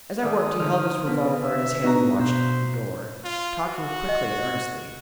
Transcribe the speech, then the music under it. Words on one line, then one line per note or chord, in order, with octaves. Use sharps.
As I worked, he held his revolver in his hand and watched the door, talking quickly and earnestly.
G#2 D#3 D5 E5 D#6
D3 F3 D#4 F6
B2 D4
E5
B3 D4 D#4 F#4 A#5
B2 C5 E5
F4
F#4
D#5